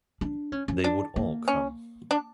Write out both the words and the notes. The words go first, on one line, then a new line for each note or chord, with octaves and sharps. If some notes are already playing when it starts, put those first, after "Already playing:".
They would all come.
D4
C#4
C#4
D4
A#3
C#4
D4